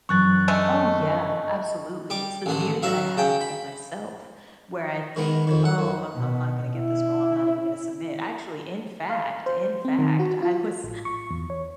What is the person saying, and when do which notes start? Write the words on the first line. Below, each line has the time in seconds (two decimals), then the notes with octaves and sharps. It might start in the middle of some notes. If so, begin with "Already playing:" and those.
Oh, yeah, absolutely, it's the fear that I have within myself where I think, "Oh, I'm I'm not gonna get this role, I'm not even gonna submit," actually, in fact in fact, I was
0.09 F#2 E3 C#6 F#6 A6
0.48 D3 G#3 A3 D#5
2.10 G3 D6
2.46 A1 D3 D#3
2.83 F#3 E5 F5
3.17 C#3 G5
3.41 B5
5.16 D#3 G#3 B3
5.47 F2 D#3
5.65 F#5
5.78 F#2
6.15 B2
6.77 E4
9.10 F5
9.46 C5
9.85 C4
9.99 D#3
10.19 F#4
10.42 F4
10.84 A1
11.05 C#6
11.31 E2
11.50 C#5